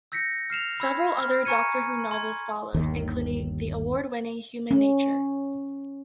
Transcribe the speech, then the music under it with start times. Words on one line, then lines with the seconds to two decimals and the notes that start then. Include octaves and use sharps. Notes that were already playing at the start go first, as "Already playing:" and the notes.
Several other "Doctor Who" novels followed, including the award-winning "Human Nature".
0.12 E6 G6 A#6 B6 C#7
0.50 F6 C7 E7 F7
0.80 B5 E6 G#6 B6
1.21 F6
1.45 G#5 A#5 C#6 G#6 C#7 D#7
2.11 C6 G#6
2.74 G1 D#2 D#3
4.71 C#4